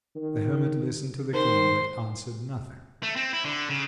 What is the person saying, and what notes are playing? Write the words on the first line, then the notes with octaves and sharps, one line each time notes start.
The hermit listened to the King, but answered nothing.
D#3
D#3 C5 C6
A3
C4
E4
D3
C#3